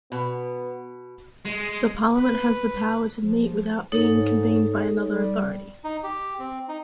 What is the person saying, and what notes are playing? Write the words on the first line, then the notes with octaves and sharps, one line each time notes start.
The Parliament has the power to meet without being convened by another authority.
B2 B3
G#3
B4
F3
G#2 D#4 A4 C#5
G3
D#4
G4
C4
D#4